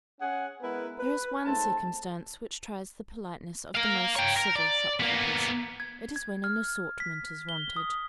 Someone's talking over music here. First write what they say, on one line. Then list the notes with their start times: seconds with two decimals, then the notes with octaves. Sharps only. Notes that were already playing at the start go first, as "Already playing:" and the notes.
There is one circumstance which tries the politeness of the most civil shopkeepers; it is when an assortment is wanted.
0.21 C#4 G#4 F#5
0.61 G#3 B3 E4 A#4 B4
0.98 B4
1.44 G#2 A3 C4 A5
3.75 A#4 F5
4.16 C#5 G5
4.36 A#4
4.56 D5
5.00 A#3 B3
5.80 G#6
6.16 G#6
6.44 F6
7.00 B6
7.49 G7
7.76 D#6